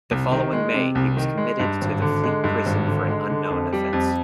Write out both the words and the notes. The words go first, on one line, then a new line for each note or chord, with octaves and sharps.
The following May, he was committed to the Fleet Prison for an unknown offence.
C2
D#3
G#3
C3
C2
D#3
G#3
G2
G#1
D3
G#3
G2
G#1
D3
G#3
D3
F2
G3
F2